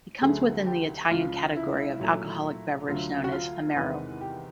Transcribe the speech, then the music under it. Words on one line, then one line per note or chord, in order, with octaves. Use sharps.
It comes within the Italian category of alcoholic beverage known as amaro.
D2 D3 F#3 A3 G#4
G4
C#2 C#3 F3 F4
E4
E4
A#2 F#3 A3
D2 D3 F#3 A3 F4
F#4
F4
E2 C3 D#3 G#3 B4
G4